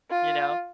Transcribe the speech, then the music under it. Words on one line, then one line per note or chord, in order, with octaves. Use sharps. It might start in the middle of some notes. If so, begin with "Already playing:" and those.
you know?
F4